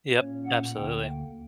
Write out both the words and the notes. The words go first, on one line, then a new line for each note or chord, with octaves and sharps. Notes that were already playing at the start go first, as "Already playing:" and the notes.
Yep, absolutely.
A#2 A#3 C#4 C#5
F#5
D2 D3 A#3 G5